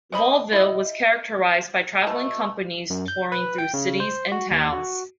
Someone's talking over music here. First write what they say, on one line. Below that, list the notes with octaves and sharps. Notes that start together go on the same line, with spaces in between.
Vaudeville was characterized by traveling companies touring through cities and towns.
C3 D#5 B5
E4 D#5
B2 A3 A5
F#2
G6
B4
G5
C#3
C5
F#4
D#2
F#4